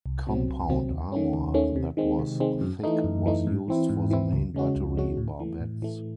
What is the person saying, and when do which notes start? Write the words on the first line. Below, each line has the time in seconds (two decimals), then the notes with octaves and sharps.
Compound armor that was thick was used for the main battery barbettes.
0.06 C2
0.27 C3 F#3 C4
0.48 C2
0.69 C3 F#3 C4
0.91 D#2
1.12 D#3 A3 C#4
1.34 D#2
1.54 D#3 A3 C#4
1.76 C3
1.97 D#3 G#3 C4
2.19 C3
2.40 D#3 G#3 C4
2.61 F#2
2.83 E3 A3 D#4
3.04 F#2
3.26 E3 A3 D#4
3.47 G#2
3.68 E3 C4 E4
3.89 G#2
4.11 E3 C4 E4
4.32 C#2
4.54 C#3 G#3 C#4 F#4
4.76 C#2
4.97 C#3 G#3 C#4 F#4
5.17 A2
5.40 E3 A3
5.60 A2
5.82 E3 A3